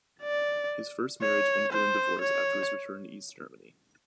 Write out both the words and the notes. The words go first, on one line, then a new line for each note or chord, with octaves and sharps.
His first marriage ended in divorce after his return to East Germany.
D5
C#5
C5
C#5